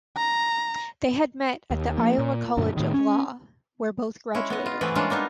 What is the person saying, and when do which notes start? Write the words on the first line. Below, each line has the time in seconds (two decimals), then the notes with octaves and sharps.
They had met at the Iowa College of Law, where both graduated.
0.17 A#5
1.71 D#2
1.97 F3 A#3
2.18 A#2
2.57 F#2 A#2 D3
2.77 A2 D#3
2.94 C#4
4.35 G#3 C#4 E4
4.50 B3 D#5
4.66 F4
4.81 E3 A3 B3 C4 G#4 B4
4.95 G3 G#3 A#3 C#4 D4 F4
5.10 A#3 B3 D4 D#4